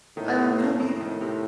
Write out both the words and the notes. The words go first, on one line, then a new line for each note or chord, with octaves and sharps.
I love you!
A2 D#3
C3
A#3
F2 A2
D#3
C3